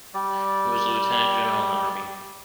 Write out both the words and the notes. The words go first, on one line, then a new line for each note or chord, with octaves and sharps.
He was a lieutenant-general in the Army.
G3 D5